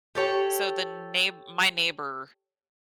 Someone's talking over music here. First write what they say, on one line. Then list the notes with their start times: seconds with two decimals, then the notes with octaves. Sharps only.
so, the neigh my neighbor
0.15 G4 A4 C#5 G5